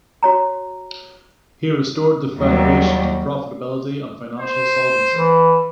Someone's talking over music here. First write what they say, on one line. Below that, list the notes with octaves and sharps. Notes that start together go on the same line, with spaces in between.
He restored the federation to profitability and financial solvency.
F#4 C#5 A#5
D#2 F#3 G3
C5
E3